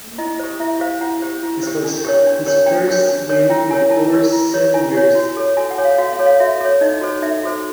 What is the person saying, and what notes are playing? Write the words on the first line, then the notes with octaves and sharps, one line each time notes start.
This was his first win in over seven years.
E4 D#5
G4 C5
E4 E5
G4 C5 F5
E4 F#5
G4 C5
E4
G4 C5
D4
G4 A#4 C#5
D4
G4 A#4 C#5
D4 G5
G4 A#4 C#5
D4
G4 A#4 C#5
E4 G5
G4 A#4 C#5 G#5
E4 A5
G4 A#4 C#5
E4
G4 A#4 C#5
E4 G#5
G4 A#4 C#5
F#4
A4 C#5
F#4 G#5
F#5
A4 C#5
F5
F#4 F5
F5
A4 C#5
F5
F#4 E5
A4 C#5
D#4 D#5
F#4 A4 C5
D#4 E5
F#4 A4 C5